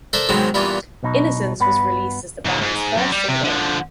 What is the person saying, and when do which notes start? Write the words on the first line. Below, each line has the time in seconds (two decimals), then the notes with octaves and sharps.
"Innocence" was released as the band's first single.
0.13 D4 A4 A#4 C5 E5
0.29 G#2 D#3 F#3 G#3 B3 C4
0.54 G2 A#2 E3 B3 F4
1.03 B1 B2 D#4
1.60 G2 B3 B4
2.45 G#2 C#3
2.62 G#2
2.97 F#2
3.12 G3
3.28 C3
3.44 D3 F3